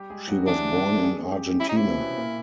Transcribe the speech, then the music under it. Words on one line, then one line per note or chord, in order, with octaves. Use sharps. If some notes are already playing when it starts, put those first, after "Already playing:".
She was born in Argentina.
Already playing: G3 G4
G#3 G#4
F#3 F#4
E3 D4 E4
E3 E4
G#3 G#4
G3 G4
C#3 C#4 E4
D#4
C3 C4 E4
C4
B2 B3
A#2 A#3